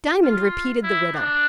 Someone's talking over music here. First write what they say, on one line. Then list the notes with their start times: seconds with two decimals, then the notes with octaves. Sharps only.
Diamond repeated the riddle.
0.23 F4
0.83 E4
1.14 D4